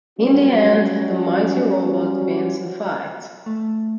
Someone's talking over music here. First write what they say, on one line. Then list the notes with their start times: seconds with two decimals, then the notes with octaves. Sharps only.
In the end, the Mighty Robot wins the fight.
0.19 F#3 G3 C#4 F#4
3.46 A3